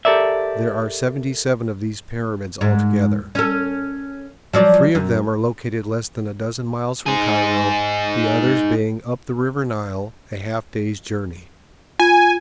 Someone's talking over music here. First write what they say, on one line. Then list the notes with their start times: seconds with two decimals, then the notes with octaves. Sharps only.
There are seventy-seven of these pyramids altogether. Three of them are located less than a dozen miles from Cairo, the others being up the river Nile a half day's journey.
0.05 G4 A4 A#4 D5 E5
2.61 G#2
3.35 C#4 A4
4.53 F3 F#3 D5
4.95 F#2
7.07 D#4 G#4
11.99 F4 G#5